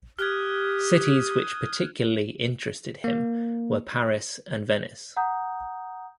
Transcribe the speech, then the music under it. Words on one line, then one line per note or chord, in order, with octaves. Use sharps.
Cities which particularly interested him were Paris and Venice.
G4 D#6 F6 F#6 G#6
A#3
F#5 A#5 D#6 G6